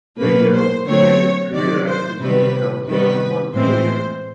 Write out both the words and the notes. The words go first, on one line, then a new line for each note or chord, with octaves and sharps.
Vignal began his career at his home town club, Montpellier.
B2 F#3 A#3 B4
C5
D3 F#3 A3 C4 C#5
C3 D#3 F#3 D5
C5
C3 D#3 G3 C4 B4
C3 D#3 G3 B3 B4
A2 E3 G#3 C4 C5